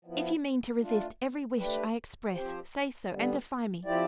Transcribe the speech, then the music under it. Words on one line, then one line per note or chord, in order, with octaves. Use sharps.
If you mean to resist every wish I express, say so and defy me.
F3 B3 E4
A3 D4 F4
A3 D4 G4 B4
F3 C4 G4 C5
D3 G3 B3
F3 C4 E4 G4 D5